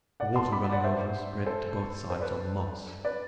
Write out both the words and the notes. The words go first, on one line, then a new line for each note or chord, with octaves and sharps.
The water running over spread to both sides on the moss.
D5 F#5
A5 C6
B5 D6
D5 F#5
C5 E5
A4 C5
A4 C5
B4 D5
B4 D5